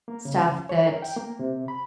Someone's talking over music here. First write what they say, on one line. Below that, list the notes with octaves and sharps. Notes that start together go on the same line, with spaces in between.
stuff that
A#3
C#3
C#5
A#4
G5
A#3
C3
B5